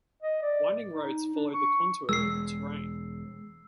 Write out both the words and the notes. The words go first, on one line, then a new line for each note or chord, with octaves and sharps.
Winding roads followed the contour of the terrain.
D#5
D5
D#4
D4
C#6
E1 G#3 E6 C7